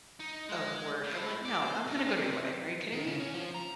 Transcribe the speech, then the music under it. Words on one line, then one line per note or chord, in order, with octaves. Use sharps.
of work." I'm like, "No, I'm gonna go to your wedding, are you kidding me?"
D#4
G#3
A2
D5
C5
C3
D#3
C#3
C#4
F3
A#5